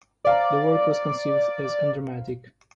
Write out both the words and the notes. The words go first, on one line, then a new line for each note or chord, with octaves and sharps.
The work was conceived as undramatic.
C5 D5 F5 A#5